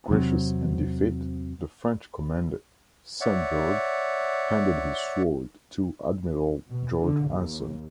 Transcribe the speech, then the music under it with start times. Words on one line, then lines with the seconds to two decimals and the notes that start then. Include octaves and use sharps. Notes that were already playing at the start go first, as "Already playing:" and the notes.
Gracious in defeat, the French Commander, Saint-Georges, handed his sword to Admiral George Anson.
0.10 E2 C3 F#3 C4
3.21 C#5 D5 E5 F#5
6.68 B2
6.99 D3
7.30 D#2